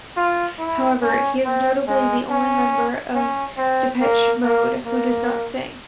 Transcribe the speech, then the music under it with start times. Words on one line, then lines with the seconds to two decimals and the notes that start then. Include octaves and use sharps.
However, he is notably the only member of Depeche Mode who does not sing.
0.17 F4
0.59 E4
1.02 C#4
1.45 C4
1.88 G#3
2.31 C#4
3.15 C#4
3.58 C4
4.01 A#3
4.43 A#3
4.86 A#3